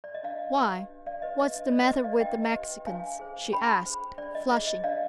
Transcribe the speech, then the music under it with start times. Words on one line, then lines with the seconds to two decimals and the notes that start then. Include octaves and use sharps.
"Why, what's the matter with the Mexicans?" she asked, flushing.
0.04 D5
0.14 D#5
0.23 D4 D5 F5
0.57 G4 B4
0.90 D4
1.06 D5 F5
1.22 G4 B4 D#5
1.39 D#5
1.56 D4 D#5
1.72 D5
1.88 G4 B4 D#5
2.04 D5 F5
2.21 D4 D#5 G5
2.54 G4 B4
2.86 D4 F5 G#5
3.20 G#4 C5
3.53 D4 G5 B5
3.86 G#4 C5
4.18 D4 D5
4.35 D#5
4.51 G#4 C5 D#5
4.67 D#5
4.84 D4 D5 F5